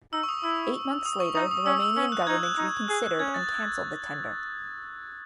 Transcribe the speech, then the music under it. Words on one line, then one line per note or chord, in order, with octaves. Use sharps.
Eight months later the Romanian Government reconsidered and cancelled the tender.
D#4 E6
C#6
D#6
E4 E6
D#6
C#6
D#4 D#6
D#6
C#4 E6
E6
C#4 E6
F#6
F#6
D#4 G#6
F#6
D#4
G#4 F#6
F#6
C#4 G#6
A6